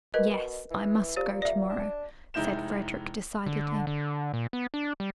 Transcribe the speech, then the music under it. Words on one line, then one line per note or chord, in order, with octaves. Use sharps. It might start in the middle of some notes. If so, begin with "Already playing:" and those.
'Yes; I must go to-morrow,' said Frederick decidedly.
B2 A#4 B4 D#5
E3
A#2 G4 C5
D5 E5
D4
F1 G#3 D#4 E4 G6 E7
D3
D3
A#2
B3
D4
G3